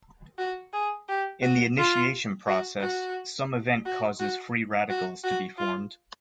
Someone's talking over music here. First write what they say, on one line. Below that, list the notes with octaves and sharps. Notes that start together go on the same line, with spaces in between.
In the initiation process, some event causes free radicals to be formed.
F#4
G#4
G4
F#4
F4
F#4
F#4
F#4
F#4
F#4
F#4
F4